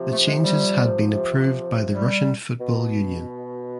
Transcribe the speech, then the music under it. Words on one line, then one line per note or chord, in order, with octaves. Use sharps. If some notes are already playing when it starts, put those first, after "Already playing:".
The changes had been approved by the Russian Football Union.
Already playing: C3 F3
A3
G#3
G3
G3
B2